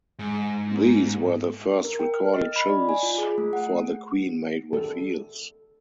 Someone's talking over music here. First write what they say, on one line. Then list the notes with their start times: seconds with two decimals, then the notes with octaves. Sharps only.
These were the first recorded shoes for the queen made with heels.
0.19 G#2
1.84 A#4
1.99 G5
2.14 F6
2.34 D#5
2.56 B5
2.69 D5
2.89 G#5
3.03 F4
3.18 G#4
3.38 A3
3.53 F#5
4.73 A4